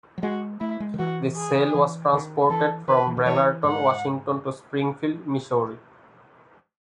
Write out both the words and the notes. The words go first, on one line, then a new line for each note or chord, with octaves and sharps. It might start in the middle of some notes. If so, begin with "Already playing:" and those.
The sail was transported from Brenerton Washington to Springfield Missouri.
F#3
G#3 F#4
A3 E4
G#3
D#3
E3 F#4
G#4
E3
D#3
E3 A4
D#3 B4
E3
D#3
E3 C#5
G#2 F#5